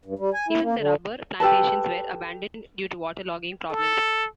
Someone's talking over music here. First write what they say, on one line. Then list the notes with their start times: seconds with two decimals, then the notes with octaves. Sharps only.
Even the rubber plantations were abandoned due to water logging problems.
0.05 G2
0.19 G3
0.34 G#5
0.48 E4
0.62 A#3
0.77 D3
1.40 G4 A4 B4 A5
3.71 A4